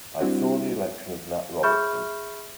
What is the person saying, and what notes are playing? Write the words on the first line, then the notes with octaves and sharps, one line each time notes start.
It saw the election of Nat Robertson.
G3 C4 D4 E4 F#4
G#4 E5 B5 C#6 F6 G6